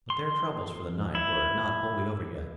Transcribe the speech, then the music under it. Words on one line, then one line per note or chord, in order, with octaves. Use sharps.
But their troubles for the night were not wholly over yet.
C6
E4